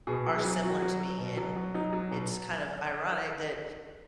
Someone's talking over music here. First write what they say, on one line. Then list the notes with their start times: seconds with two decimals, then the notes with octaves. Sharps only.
are similar to me, and, uh, it's kind of ironic that
0.07 B2 G#4
0.26 F#3
0.36 G#4
0.45 F#3
0.63 F#3 F#4
0.82 F#3
1.00 F#3
1.18 B2
1.37 F#3
1.56 F#3
1.74 F#3 D#4
1.93 F#3
2.11 B2